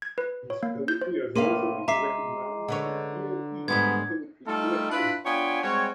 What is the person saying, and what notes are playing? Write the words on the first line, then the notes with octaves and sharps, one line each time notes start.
His poetry has also been recognized in Near East poetry collections.
G#6
B4
C#5
A#3
G6
C5
A2 C3 A#3 B4 F5 C6 D#7
G#3 E5 A#5 D6 C7
D3 B4 C#5
G#2 G3 G#3 B3 G#6
G3 A3 D#4 F4 A4
D4 E4 F4 B4
B3 D4 F4 C#5 G5 G#5
G3 G#3 C4 F#4 C#5